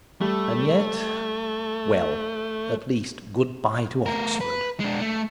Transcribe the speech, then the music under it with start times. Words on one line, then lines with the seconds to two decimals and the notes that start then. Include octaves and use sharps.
And yet--well, at least, good-bye to Oxford!
0.21 G3 A3
4.06 A3 A#4
4.41 B4
4.80 G#3 D4
5.01 A3